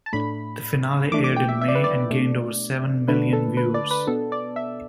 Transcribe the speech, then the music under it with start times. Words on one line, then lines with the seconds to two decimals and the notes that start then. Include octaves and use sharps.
The finale aired in May and gained over seven million viewers.
0.06 A5
0.13 A2 A3 D4 B5
1.11 E3 A3 D4 D6
1.24 D6
1.36 G5
1.49 E5
1.61 E5
1.68 D5
1.75 B4
1.84 D5
2.11 B2 A3 D4
3.08 D3 A3 D4 B4
3.33 A4
3.57 B4
3.74 D5
3.91 B4
4.07 B2 B3 D4 A4
4.32 D5
4.56 E5